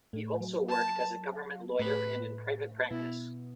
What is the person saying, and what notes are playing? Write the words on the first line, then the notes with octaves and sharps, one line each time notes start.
He also worked as a government lawyer and in private practice.
A2 A3
F#3
A5
A2 A3 B4
B2 B3 E4